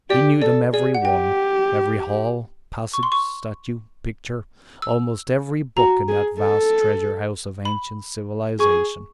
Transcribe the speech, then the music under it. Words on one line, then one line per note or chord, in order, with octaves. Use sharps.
He knew them every one, every hall, passage, statue, picture, almost every book in that vast treasure-house of ancient civilisation.
G4 D5
A4 D5
G#4 D5
F#5
G4 G5
C#6
C6
C#6
E6
F#4 A#5
G#4
A4
B5
G#4 C#6